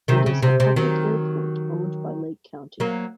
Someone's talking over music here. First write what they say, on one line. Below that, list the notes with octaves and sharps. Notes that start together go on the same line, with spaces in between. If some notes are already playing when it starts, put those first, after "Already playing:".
It is a public airport owned by Lake County.
C3 D#3
C#3
C3
C3
D#3 F#3
F#3 A#3